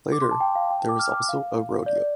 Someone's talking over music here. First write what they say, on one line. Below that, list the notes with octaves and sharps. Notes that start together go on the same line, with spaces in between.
Later there is also a rodeo.
D6
C6
A5
G5
F5
G5
A5
D6
F6
D6
F5
D5
D5